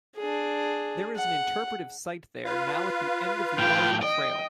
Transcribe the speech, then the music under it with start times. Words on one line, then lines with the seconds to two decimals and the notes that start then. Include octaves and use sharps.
There is an interpretive site there now at The End of The Oregon Trail.
0.16 D4 G#4
1.16 F#5
2.45 F4 B4 F5
3.59 A2 G4 G5
4.02 D#5 G5